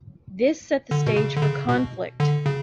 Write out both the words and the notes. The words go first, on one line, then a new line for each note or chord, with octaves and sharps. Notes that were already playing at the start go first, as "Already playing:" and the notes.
This set the stage for conflict.
D3
B2
C#3
D3
C#3
B2
D3
C#3